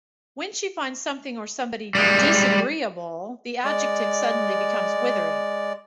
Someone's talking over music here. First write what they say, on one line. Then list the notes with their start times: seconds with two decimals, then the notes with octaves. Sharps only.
When she finds something or somebody "disagreeable," the adjective suddenly becomes withering.
1.95 G3 G#3
3.65 G#3 D5